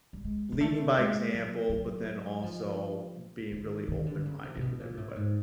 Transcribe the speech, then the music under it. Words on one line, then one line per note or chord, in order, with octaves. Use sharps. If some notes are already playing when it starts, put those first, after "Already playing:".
leading by example, but then also being really open-minded with everybody.
G3
G#3
G#3
A3
G#3
F#3
F#3
F3
D#3
D#3
D3
C#3
C3
C3
B2
A#2
A2
G#2